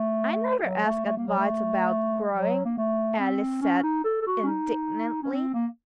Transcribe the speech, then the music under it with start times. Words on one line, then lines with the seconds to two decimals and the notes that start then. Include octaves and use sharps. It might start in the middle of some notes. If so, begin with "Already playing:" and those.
'I never ask advice about growing,' Alice said indignantly.
Already playing: A3
0.64 F#3
0.85 A3
1.06 A3
1.18 A#3
1.28 F#3
1.38 A3
2.35 F#3
2.65 A#3
2.78 A3
3.20 C4
3.62 C#4
3.83 D#4
4.04 A4
4.21 A4
4.27 F#4
4.43 C#4
4.47 D#4
5.23 C#4
5.33 C4
5.54 A#3